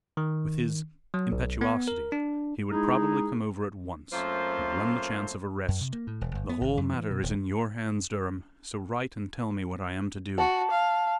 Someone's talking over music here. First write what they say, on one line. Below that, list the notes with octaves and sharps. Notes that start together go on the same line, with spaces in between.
With his impetuosity, he would probably come over at once, and run the chance of arrest. The whole matter is in your hands, Durham, so write and tell me what I am to do.
D#3
F#3
B1
B3
A#4
D4
G#3 D#4 E4 G#4
F#2 A3 A#3 C4 F4 C5
F#2
C3
A#3
A2
E1
G1
B3
G#1
F#2
E3
B2
D#1
F#4 A5
F5